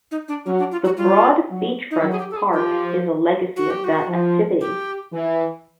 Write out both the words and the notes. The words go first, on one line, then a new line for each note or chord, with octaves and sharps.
The broad beachfront park is a legacy of that activity.
D#4
D4
F#3 C#4
D4
F4
F#4
G3 F4
F#3
D#4
F#3 E4
G#4
G4
A4
G#4
F3 G4
F#4
G4
F#4
F3
G4
E3